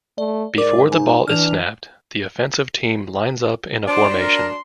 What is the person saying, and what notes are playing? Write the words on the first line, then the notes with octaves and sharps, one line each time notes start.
Before the ball is snapped the offensive team lines up in a formation.
A3 D5
G#2 A#4 D5 D6
D#4 G#5
E3 D4 F6 F7
F#3 D4 C5 C6 D6
A#4 C6